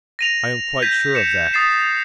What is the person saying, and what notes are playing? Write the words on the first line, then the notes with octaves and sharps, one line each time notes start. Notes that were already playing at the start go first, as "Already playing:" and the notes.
I am quite sure of that.
A#6 D#7 F7
G6 G#6 B6 D#7
C#7 E7
D#6 A6 C7 E7